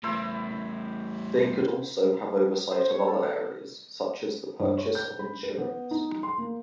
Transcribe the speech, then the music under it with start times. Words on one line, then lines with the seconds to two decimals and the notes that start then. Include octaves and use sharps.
They could also have oversight of other areas, such as the purchase of insurance.
0.04 E2 A2 E4 C5 E6
2.71 C5
2.91 C#5
3.07 A4
4.59 G2
4.78 C#5
4.95 G6
5.19 B5
5.43 B4
5.58 B3
5.91 D#4
6.23 C6
6.38 A#3